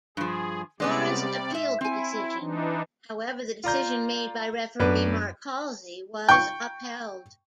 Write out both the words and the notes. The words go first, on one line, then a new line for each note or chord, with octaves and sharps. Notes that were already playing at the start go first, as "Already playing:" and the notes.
Forest appealed the decision, however the decision made by referee Mark Halsey was upheld.
G2 F3 G#4
C3 G3 G#3 B3 C#4 D5
G#2 E5
C4 E4 G#5
E3 D4 D#4
F4 D5 A#5 G6
F#2 B3 D4 B4
G5 C#6